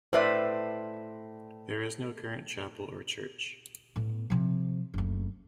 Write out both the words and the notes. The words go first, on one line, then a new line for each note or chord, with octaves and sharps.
There is no current chapel or church.
A2 B4 C5 D5 E5
A2 B3
C3 F3
F#1 D2